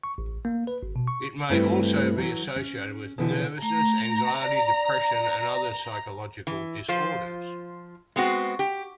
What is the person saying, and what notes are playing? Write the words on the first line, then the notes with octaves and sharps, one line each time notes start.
It may also be associated with nervousness, anxiety, depression, and other psychological disorders.
C#6
A1
A#3
B4
G#1
B2
C#6
G2 G3 A3 C4 E4 B4
E3 F#3
C#4
B2 D3 E3 F3
A3 A#5
D5
E3
F3 F4 C5
G#3 B3 C4 F#4
G4